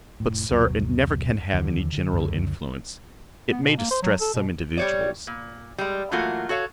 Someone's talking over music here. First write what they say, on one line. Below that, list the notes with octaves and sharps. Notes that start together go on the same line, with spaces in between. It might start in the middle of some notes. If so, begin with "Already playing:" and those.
But, Sir, it never can have any general influence; it may distress some individuals.
F1 A2
F#1 D2 B2 F#3
D#2 D3 E3
D3
C#2 F#2 D3
B3
B2
A#3
C5
F#3
A4
B2
G3 C#5 D5
A#2
G3 G#3
E3 F#3 A3 A#3 F4 F#4
F#4 A4 C#5 F5